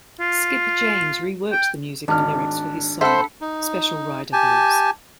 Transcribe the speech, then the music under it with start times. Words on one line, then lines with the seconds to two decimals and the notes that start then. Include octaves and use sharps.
Skip James reworked the music and lyrics for his song "Special Rider Blues".
0.20 F4
1.52 G5
2.08 G#1 D4 F6
3.01 A4 C5 E5 F#5 B5 E6
3.41 D#4
4.33 G4 G#5 A5